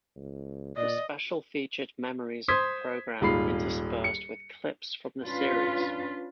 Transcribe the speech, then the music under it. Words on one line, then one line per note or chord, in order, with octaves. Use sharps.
The special featured memories of the program interspersed with clips from the series.
C#2
A#2 D5 D#5
C5 C6 D#6 G#6 B6
D#1 G#2 F4 B5 C7
C#7
C#4 D4 F4 B4